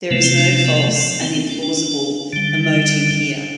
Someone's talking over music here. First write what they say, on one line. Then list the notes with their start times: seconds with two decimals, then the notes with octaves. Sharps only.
There is no false and implausible emoting here.
0.10 C3 F3 A3 B3
0.24 C4
0.38 D4
0.52 D4
0.66 B3
1.21 C4
1.35 C4
1.49 D4
1.63 D4
1.77 D4
2.33 D3 G3